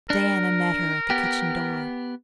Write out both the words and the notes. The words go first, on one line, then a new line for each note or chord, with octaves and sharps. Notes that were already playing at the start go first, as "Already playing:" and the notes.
Diana met her at the kitchen door.
D4 A#4
B3 G4